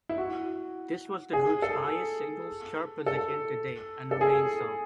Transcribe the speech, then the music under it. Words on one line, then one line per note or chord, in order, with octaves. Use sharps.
This was the group's highest singles chart position to date and remains so.
E4
F#4
G#4
A4
A4
A4
G#4